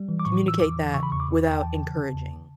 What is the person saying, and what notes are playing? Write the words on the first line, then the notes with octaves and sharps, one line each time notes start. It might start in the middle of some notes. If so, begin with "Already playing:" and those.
communicate that without encouraging.
Already playing: G3
E3
D6
A2 C#6
E3
E6
E2 D6
E3
C#3 C#6
B5
E2 C#6
D6
E2
E2
G5
E3 A5
C#3
C#3
E2